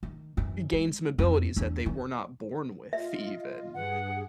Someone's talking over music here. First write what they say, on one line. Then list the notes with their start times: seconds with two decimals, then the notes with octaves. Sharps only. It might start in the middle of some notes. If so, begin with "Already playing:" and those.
gain some abilities that they were not born with even.
0.03 D#3
0.37 F#2 E3
0.73 G#3
1.18 F2 E4
1.56 E2 D4
1.86 D#3
2.93 F4 D#5 E5
3.74 G2 G#4 B4 F#5